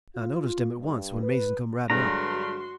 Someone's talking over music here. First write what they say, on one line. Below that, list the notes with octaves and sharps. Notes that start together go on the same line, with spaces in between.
I noticed him at once, when Mason come ridin' up.
F4
G2
B4
G2 D3 F#3 G#3 F#4 A#5 C6